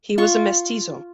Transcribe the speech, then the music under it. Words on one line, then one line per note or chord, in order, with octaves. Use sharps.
He was a mestizo.
F4 C#6